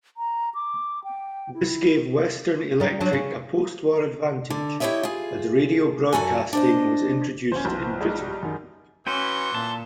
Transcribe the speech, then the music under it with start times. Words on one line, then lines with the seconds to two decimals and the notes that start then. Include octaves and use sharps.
This gave Western Electric a post-war advantage as radio broadcasting was introduced in Britain.
0.17 A#5
0.54 D6
1.04 G5
1.54 E4
2.80 G3 D#4
3.00 F#3 D4
3.13 C#3
4.50 D3
4.80 E4 G4 A#4 C#5 D#5 E5
5.03 F4 G#4
6.13 F#2 F#4 A4 G#5
6.53 D4 C5 D#5
7.52 F#2 C#4 C5
7.65 B1 E3 F3
8.01 G3 G#3 D#4
8.43 F#2 D#3
9.07 E3 C#4 F#4 B4 G5 C6
9.54 A#2 A5